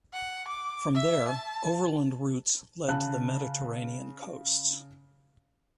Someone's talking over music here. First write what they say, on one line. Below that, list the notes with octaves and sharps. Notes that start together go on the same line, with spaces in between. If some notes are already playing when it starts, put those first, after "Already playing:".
From there, overland routes led to the Mediterranean coasts.
F#5
D6
E5
A5
C#3 A5 F#6